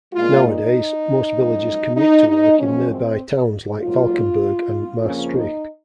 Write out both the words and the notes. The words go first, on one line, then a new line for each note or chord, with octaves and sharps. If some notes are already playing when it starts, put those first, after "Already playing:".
Nowadays, most villagers commute to work in nearby towns like Valkenburg and Maastricht.
A#2 G#3 F4
D#4
F#2 F3 G#3
D#4
D#4
F#2 F3 G#3 C#4
C4
G#2 F#3 A#3 F4
F2 C#3 F3 A#3 C#4
D#4